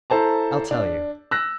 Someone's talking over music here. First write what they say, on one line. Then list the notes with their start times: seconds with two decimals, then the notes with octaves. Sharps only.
I'll tell you.
0.10 E4 A4 C5 A5 A#5
0.71 D4
1.31 E6 F#6 A#6